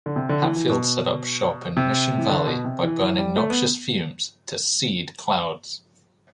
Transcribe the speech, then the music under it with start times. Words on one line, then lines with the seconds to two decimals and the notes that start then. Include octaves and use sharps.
Hatfield set up shop in Mission Valley by burning noxious fumes to "seed" clouds.
0.06 D3
0.16 C3
0.29 D3
0.43 E3
0.56 E3
0.69 B2
1.77 C3
2.18 E3
2.29 D3
2.47 B2
2.65 C3
2.83 E3
3.00 E3
3.18 G3
3.36 A3
3.50 B3